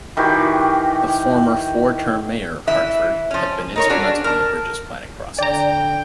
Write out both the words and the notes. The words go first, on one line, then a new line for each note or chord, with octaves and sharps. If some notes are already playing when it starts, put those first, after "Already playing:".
The former four-term mayor of Hartford had been instrumental in the bridge's planning process.
D#3 E3 F#4 G4
E3 E5
F3 C#4
D#4 A#4 C#5
C#4 D4 F#4 G#4
A#4 A5
D3 D5 G5 A#5